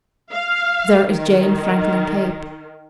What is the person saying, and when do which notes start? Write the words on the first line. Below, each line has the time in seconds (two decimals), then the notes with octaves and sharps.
There is Jane Franklin Cape.
0.31 F5
1.06 D#3